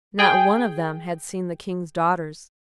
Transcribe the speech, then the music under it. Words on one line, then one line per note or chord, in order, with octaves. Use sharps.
Not one of them had seen the King's daughters.
G#4 G5